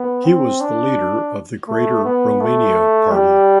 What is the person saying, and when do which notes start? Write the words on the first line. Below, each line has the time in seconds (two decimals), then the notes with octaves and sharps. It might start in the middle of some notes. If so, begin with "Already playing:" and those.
He was the leader of the Greater Romania Party.
Already playing: B3
0.24 C4
0.61 D4
1.68 A3
2.04 B3
2.41 A3
3.12 G3